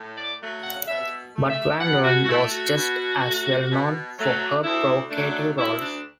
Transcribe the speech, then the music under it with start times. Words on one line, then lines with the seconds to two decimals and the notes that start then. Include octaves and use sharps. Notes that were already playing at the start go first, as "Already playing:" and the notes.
But Van Doren was just as well known for her provocative roles.
Already playing: A2
0.17 D5
0.40 F#3 A3
0.64 F#5
0.87 B2 E5
1.35 A3
1.50 E5
1.81 B2 F#5
2.04 F#4
2.24 F#4
2.28 A3 E4
2.52 F#4
2.75 B2
3.23 F#3 A3
3.71 B2
4.18 F#3 A3
4.64 D2 E4
5.11 D3 F#3 A3 D4
5.58 D2 E4
5.82 D4